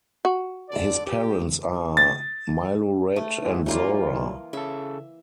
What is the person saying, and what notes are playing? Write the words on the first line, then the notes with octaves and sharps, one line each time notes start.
His parents are Milorad and Zora.
F#4
D3 D5
G4
A6
A3
E3 G#3 B3
E3 F#3 G3 A#3 F4
C#3 A4 E5